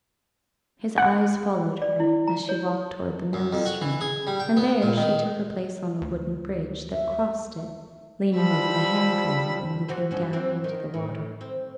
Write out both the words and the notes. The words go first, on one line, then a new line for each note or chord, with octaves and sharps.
His eyes followed her as she walked towards the mill-stream, and there she took her place on the wooden bridge that crossed it, leaning over the handrail, and looking down into the water.
F#5
D5
E4
A#5
C#5
F#2
F2
F#4
E3
G#4
G3
G5
B3
A#2
D#3
D2
E5
F3 G3 B5 E6
E3 F#4 C5
G2 C#4 F#4
E3 C4
D#3
A2
C4